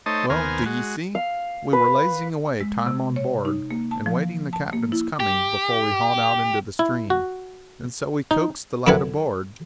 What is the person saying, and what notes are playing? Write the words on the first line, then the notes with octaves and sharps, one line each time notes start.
Well, do ye see, we were lazing away time on board, and waiting the captain's coming before we hauled out into the stream, and so we coaxed the lad aboard.
A3 D#4 C5 C#5 D#5 A5
D#2 B3 A#4 C5 G#5 F6
G#3 F#4
F5
B4
G#3
C3
C#5
D#4
A#3
A5
F3
A5
A#3
E4
G4
E4
F#4
D#4
F#2 D3 E4 B4 F#5 G#5